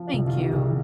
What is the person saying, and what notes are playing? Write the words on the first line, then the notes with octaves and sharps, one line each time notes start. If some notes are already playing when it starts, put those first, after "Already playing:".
Thank you.
Already playing: F3
C2
F4
D#3
G4
C2 G#4